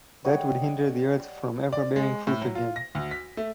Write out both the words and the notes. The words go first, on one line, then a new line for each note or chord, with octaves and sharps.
That would hinder the earth from ever bearing fruit again.
G3 C#5 D#5 F#5
D5
G#3
A2
F#3
F4
A#6
D2
B6
A3